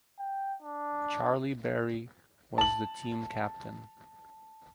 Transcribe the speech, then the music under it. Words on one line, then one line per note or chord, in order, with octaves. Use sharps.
Charlie Berry was the team captain.
G5
D4
A5 F#7